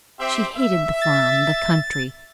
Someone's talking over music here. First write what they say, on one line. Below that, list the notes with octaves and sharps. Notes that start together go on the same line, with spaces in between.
She hated the farm, the country.
C4 G4 E5
E5
A6